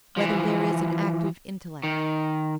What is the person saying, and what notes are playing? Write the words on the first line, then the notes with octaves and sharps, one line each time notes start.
Whether There Is an Active Intellect?
E3 F3
D#3